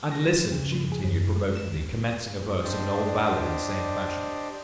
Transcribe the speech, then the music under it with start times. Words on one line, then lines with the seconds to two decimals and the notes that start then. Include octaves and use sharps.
'And listen,' she continued, provokingly, commencing a verse of an old ballad in the same fashion.
0.12 A#6
0.27 F3
0.52 C#3
0.72 F3
0.92 G#4
1.04 F#2
1.36 G#3
1.55 E7
1.74 D2
2.64 D4 G4 C5 D5 D#5